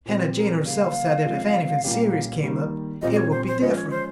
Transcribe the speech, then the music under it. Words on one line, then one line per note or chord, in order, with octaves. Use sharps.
Hannah Jane herself said that if anythin' 'serious' came up it would be diff'rent.
A#2 F3 C4 G4
A#4
C#3 G3 A#3 F5
C3 F3 G#3
A#2 G3 A#3 C#4 G4
D#3 G3 A#3
A#2 G3 C4 F4 D#5
D#5
C#5
C5
C5
F3 G#3 C#4 F4 D#5
C#5
C5